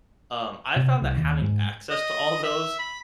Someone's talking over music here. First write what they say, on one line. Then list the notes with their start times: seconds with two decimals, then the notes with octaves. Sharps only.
Um, I found that having access to all those
0.76 C3
1.02 C2
1.17 D#2
1.42 G#2
1.90 D#5
2.44 E5
2.79 B5